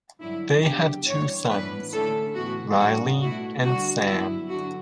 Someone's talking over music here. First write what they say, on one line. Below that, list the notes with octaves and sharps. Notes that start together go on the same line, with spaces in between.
They have two sons, Riley and Sam.
G2 D3 F#3 E4
C#3 F#3 B3 D4 G4
G2 E3 G3 D4 C#5
A2 E3 B3 D4 B4
D3 A3 C#4 E4 A4
A2 E3 B3 F#4
A2 G3 D4 F#4
B2 A3 E4 F#4
D3 G3 D4 F#4
G2 F#3 B3 E4
D3 F#3 F#4